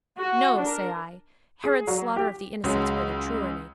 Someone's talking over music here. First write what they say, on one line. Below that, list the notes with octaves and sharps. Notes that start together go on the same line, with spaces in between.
No, say I! Herod's slaughter of the innocents were the truer name.
F#4
D4 A#4
G#4
F#3
G4
C#2 F#3 G#3